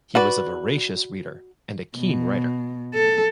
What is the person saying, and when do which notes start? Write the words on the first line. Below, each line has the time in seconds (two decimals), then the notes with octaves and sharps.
He was a voracious reader and a keen writer.
0.15 F#4 B4 D5
1.97 B2
2.94 A4